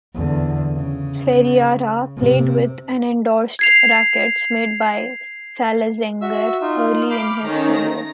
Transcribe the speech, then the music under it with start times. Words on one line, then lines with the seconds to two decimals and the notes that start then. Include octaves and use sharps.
Ferreira played with and endorsed rackets made by Slazenger early in his career.
0.14 E2 D3
0.75 C#3
2.17 C3
3.59 G#6 C7 F7
6.22 F#4 E5 E6
6.62 D#4 F4
7.11 B5 D6 F6 G6 C7
7.44 D#3 A3 C#4 A#5
7.77 A#6